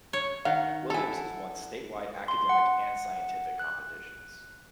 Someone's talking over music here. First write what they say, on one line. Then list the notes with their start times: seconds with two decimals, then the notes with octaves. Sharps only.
Williams has won statewide academic and scientific competitions.
0.13 C#5
0.45 D#3 F5 F#5
0.90 E4 A4 G#5 A#5
2.28 C6
2.49 F#5
3.59 F#6